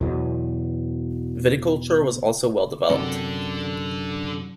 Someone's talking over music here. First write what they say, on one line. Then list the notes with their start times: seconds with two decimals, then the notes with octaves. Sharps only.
Viticulture was also well-developed.
0.01 E2 B2 F#3
2.90 F#2 C3 D4 A4